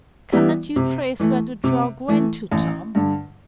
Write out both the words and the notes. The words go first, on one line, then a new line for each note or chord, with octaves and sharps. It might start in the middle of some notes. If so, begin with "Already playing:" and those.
"Cannot you trace where the drug went to, Tom?"
E3 G3 B3 E4
C3
E3 A3
C3
E3 A3
A1
G2 D3